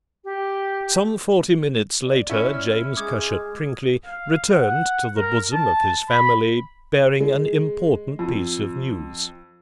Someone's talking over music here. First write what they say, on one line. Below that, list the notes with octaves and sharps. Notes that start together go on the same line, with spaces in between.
Some forty minutes later James Cushat-Prinkly returned to the bosom of his family, bearing an important piece of news.
G4
D5
C#4 E4
F6
G#3 D6 D#6 G#6
F5
F#5
A#4
A5
B5
G#3
F2